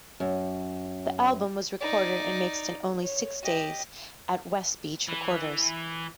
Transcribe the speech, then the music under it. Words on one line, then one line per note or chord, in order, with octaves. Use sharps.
The album was recorded and mixed in only six days at Westbeach Recorders.
F#2
D#4 D5
C#5
G4 D#5
E3